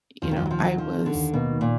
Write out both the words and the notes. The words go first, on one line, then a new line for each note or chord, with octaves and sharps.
you know, I was,
D#2 F3
D#3
F3
D#2 F#3
F3
D#3 F#3
D#3 F3
D#3
D3
D#2
B2 A#3
D#3
A#2